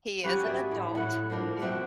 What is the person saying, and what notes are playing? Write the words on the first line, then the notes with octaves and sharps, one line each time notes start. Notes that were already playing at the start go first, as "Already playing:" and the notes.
He is an adult, ye
C#4 F#4 G4 B4
G#4 D5 E5
A2
A2 E4 F#5
F3 A#3 D4 A#4
B2 C4 E5 F#5